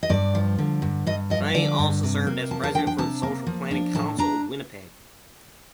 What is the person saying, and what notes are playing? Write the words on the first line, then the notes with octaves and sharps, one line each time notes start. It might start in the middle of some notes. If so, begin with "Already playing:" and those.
She also served as president for the Social Planning council of Winnipeg.
D#5
G2 D5
F3
D3
G2
G2 D#5
F3 D#5
D3 D5
G2
C3
A#3
F3 A5
A5
D4 G5
G5
C3 A5
A#3
F3
D4
A2 A5
D4 A#5